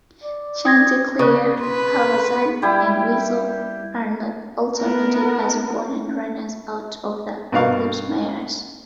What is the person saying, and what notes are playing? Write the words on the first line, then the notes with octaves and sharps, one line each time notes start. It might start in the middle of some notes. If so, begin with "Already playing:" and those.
Chanticleer, Haphazard, and Weasel are also noted as important runners out of Eclipse mares.
D5
D#6 G#6 A#6
C#3 D5 D#6 F#6
B4 C6
G3 E4 G4
B3 A#4
G2 B2 A#4 F5 C#6